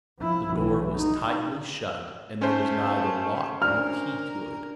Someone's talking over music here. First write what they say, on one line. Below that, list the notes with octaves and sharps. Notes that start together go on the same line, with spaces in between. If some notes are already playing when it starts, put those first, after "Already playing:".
The door was tightly shut, and there was neither lock nor key to it.
F3 E4
B1 E3
D#4
A3 C#4 C5
D4 A#4 D5 A#5 F6